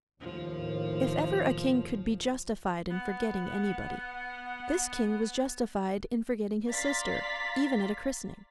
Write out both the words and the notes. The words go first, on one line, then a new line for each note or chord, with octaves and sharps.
If ever a king could be justified in forgetting anybody, this king was justified in forgetting his sister, even at a christening.
D#2 A2 F3
B3 F#5
D5 F5 A#5 C6 A6 B6